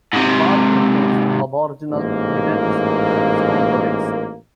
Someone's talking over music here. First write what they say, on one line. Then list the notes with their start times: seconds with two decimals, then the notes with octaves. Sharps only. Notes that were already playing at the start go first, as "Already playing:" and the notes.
The park contains aboriginal middens and stone relics.
0.13 G#2 C3
1.91 A1 G#2 A#3